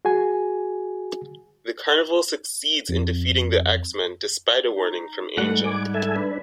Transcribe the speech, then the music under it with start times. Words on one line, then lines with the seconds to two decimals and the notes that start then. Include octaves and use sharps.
The carnival succeeds in defeating the X-Men despite a warning from Angel.
0.05 F#4 G#4 G#5
2.89 F2
4.76 D#4
5.37 G#2 G3 A3 F#5
5.64 G#5 D6
5.94 A4 E5 G#5
6.16 D4 B4